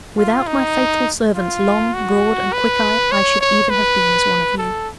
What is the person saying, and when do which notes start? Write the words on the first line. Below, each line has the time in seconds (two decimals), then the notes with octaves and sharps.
Without my faithful servants, Long, Broad, and Quickeye, I should even have been as one of you.'
0.18 F4
0.47 D#4
1.35 F4
1.94 F#4
2.53 B4
3.12 C#5
3.41 C#5
3.70 B4
4.58 A4